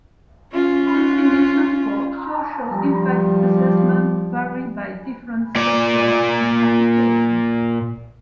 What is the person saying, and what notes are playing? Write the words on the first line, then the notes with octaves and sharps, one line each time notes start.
Definitions for "social impact assessment" vary by different sectors and applications.
C#4 F4
F3 G3
A#2 D5